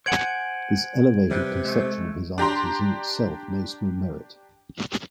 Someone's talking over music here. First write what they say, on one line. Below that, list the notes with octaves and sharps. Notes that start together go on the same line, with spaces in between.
This elevated conception of his art is in itself no small merit.
C5 F#5 G#5 G#6 D7 F#7
C3 G3 B4
G#3 A3
D4 G4 A#5 C6